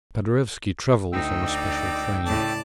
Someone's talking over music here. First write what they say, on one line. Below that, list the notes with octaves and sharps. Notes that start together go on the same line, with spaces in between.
Paderewski travels on a special train.
D2 D#4 G5 E6
D5
A2 C#3 D5 A5